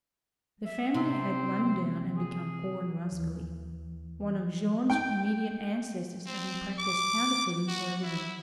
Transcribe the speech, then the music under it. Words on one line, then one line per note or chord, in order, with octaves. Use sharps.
The family had run down and become poor and rascally, one of Jeanne's immediate ancestors having practiced counterfeiting for a living.
E5
C3 C4
G#4
D#2 E3
G5
C4
D6
F#4
E4